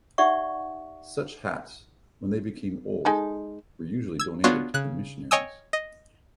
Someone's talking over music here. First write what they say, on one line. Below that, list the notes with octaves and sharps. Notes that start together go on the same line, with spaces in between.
Such hats, when they became old, were usually donated to the missionaries.
D#4 G4 D5 E5 F#5 C#6
G#3 D#4 A4
E6 G#6
B3 D4 F4 F#4 C#5
C#3 F#6
C#5 D#5 G5 G#5 D#6 E6
D#5